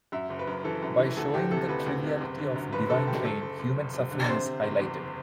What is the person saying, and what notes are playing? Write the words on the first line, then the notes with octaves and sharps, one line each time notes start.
By showing the triviality of divine pain, human suffering is highlighted.
F#2 E5
F#1
B4
F#2
E3 A4
F#2
E3
D2 A4
D2 G4
C3 A4
D2 B4
D2
C3
F#1
D3
F#2
F#1 B4
D3 A4
D3 G4
F#1 A4
F#1
F#1
F#1
F#1
D3
C3 C5
C3
F#1
E2